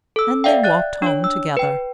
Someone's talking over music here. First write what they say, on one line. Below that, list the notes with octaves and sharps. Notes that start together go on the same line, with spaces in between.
And they walked home together.
A4 E6
D5 E5 F5 G5
D5 F#6 A6
D4 C#5
E6
B4 G5